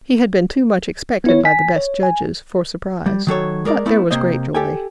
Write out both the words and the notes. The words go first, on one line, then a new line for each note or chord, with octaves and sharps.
He had been too much expected by the best judges, for surprize--but there was great joy.
B3 E4 C#5
G#5 B6
C#5
G#5
G3
D#3 F#3 A4 C#5
G#3 A#4 D5
A3 B3 E4
C3 A#3 C5 D#5
G4 A4 G5 G#5